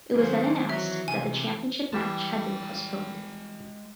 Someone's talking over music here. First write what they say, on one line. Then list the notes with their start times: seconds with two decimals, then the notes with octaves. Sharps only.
It was then announced that the championship match had been postponed.
0.15 G#2 D#3 F#3 C4 C5
0.70 E3 F#3 E5
1.08 C3 G#5
1.93 E3 G3 G#3 G5 A5